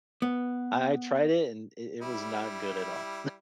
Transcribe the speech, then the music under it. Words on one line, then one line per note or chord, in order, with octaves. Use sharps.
I I tried it, and it it was not good at all.
B3
G3 E4